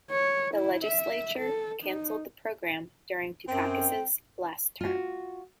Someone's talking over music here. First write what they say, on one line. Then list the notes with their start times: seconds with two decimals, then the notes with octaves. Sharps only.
The legislature canceled the program during Dukakis's last term.
0.11 C#5
0.55 E4
0.85 E5
1.39 A4
1.83 D#4
3.48 F#2 C4 G5
4.81 F4 F#4